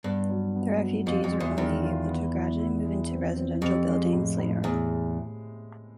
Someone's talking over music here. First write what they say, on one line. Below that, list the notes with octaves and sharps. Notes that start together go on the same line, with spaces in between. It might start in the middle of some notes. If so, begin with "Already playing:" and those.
The refugees were only able to gradually move into residential buildings later on.
G2 B3
F#3
B3
F#3
F2 F4
F2
G#3
E2
E2 D#3
F4
B3
E4
E4
G#3
C4
C4
F2 G4
G#3
A2
A2
E2 A2